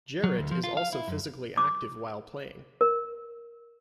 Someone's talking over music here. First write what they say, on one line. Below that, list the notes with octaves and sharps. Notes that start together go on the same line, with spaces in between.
Jarrett is also physically active while playing.
F#3
D2
F3
F4
F5
E4
F#2
D6
A#4